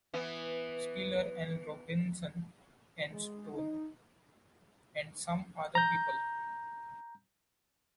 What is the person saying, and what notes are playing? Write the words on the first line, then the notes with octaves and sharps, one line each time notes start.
Spiller and Robinson and Stone, and some other people.
E3 B3 E4
G#3
D#4
A#5 G6